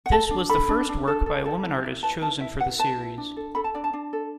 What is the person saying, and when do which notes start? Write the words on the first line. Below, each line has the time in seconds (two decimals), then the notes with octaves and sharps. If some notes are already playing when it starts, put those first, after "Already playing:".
This was the first work by a woman artist chosen for the series.
0.06 F#5
0.12 A4 A5
0.30 D4
0.50 A4 B5
0.69 D4
0.89 D4
1.07 A4
1.26 A4
1.46 A4
1.64 E4
1.84 E4
2.03 B4 A5
2.22 E4 A5
2.40 E4 E5
2.60 B4 F#5
2.79 B4 A5
2.98 E4
3.18 D4
3.37 A4
3.55 A4 B5
3.64 A5
3.74 D4 D5
3.84 A5
3.93 D4
4.13 A4